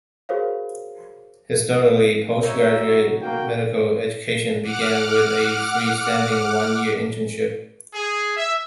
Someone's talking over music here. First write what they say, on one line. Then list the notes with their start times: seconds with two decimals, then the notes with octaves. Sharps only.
Historically, post-graduate medical education began with a free-standing, one-year internship.
0.29 F#4 G#4 A#4 C5 C#5 F5
2.43 D#4 F#4 C#5 E5
3.21 A#3 F#4 G5
4.62 F#5 D6 F6
7.93 G#4
8.37 E5